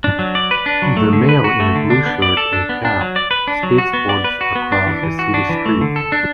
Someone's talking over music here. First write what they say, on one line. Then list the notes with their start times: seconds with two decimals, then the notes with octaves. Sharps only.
The male in a blue shirt and cap skateboards across a city street.
0.04 D4
0.19 F#3
0.35 D5
0.51 B4
0.66 D4
0.82 F#3
0.97 A3
1.13 D3
1.29 B4
1.44 F#4
1.60 A3
1.75 D3
1.90 D4
2.06 B3
2.22 D5
2.37 A4
2.53 D4
2.69 B3
2.85 D4
3.01 F#3
3.16 D5
3.31 B4
3.47 D4
3.63 F#3
3.78 F#4
3.93 B3
4.09 D5
4.24 B4
4.41 F#4
4.55 B3
4.72 D4
4.87 E3
5.03 E3
5.19 F#4
5.34 D4
5.49 E3
5.66 A3
5.81 D3
5.96 A4
6.12 D4